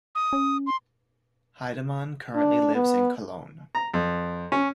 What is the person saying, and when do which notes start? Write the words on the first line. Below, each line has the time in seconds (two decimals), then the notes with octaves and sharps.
Heidemann currently lives in Cologne.
0.15 D#6
0.33 C#4
0.67 C6
2.36 D4
2.75 B3
3.75 A#5
3.94 F2
4.52 C#4